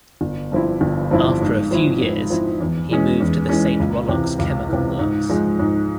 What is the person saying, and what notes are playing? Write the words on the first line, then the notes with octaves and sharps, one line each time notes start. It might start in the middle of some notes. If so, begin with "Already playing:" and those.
After a few years he moved to the Saint Rollox chemical works.
G1
G2 F3 C4 E4
G1
G2 F3 C4 E4
G#2
F3 C4 E4
G#2
F3 C4 E4
E2
E3 G#3 C#4
E2
E3 G#3 C#4
C#2
C3 E3
C#2
C3 E3
G#2
F3 G#3
G#2